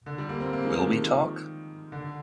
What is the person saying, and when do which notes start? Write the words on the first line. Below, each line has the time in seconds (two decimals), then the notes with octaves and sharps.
Will We Talk?
0.06 D3
0.18 G3
0.29 A#3
0.40 C4
0.53 A#3
0.65 G#3
0.76 F3
0.87 D#3
1.92 D3